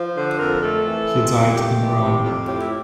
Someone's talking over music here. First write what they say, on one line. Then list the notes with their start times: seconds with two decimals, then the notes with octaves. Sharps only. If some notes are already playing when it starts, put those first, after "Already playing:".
He died in Rome.
Already playing: F3
0.16 D3 C5
0.39 F2 A#4
0.62 A3 A4
0.86 E3
1.09 C3
1.32 F2
1.55 A3 G4
1.78 E3
2.01 C3
2.24 F2
2.47 A2 G4
2.59 E4